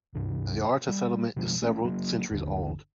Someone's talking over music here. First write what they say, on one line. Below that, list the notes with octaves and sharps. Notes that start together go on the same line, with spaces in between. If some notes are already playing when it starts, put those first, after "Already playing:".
The Arta settlement is several centuries old.
C#2 G2 C3 E3
G3
B2 F3 G#3
A3 C#4
F#3 A#3
G1 D#2 D3